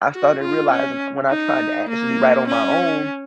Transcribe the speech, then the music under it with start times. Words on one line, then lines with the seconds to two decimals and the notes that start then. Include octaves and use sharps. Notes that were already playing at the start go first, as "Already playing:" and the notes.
I started realizing when I tried to actually write on my own,
0.13 F#4
0.41 F4
0.71 C#4
1.29 D#4
1.89 A#3
2.47 C#4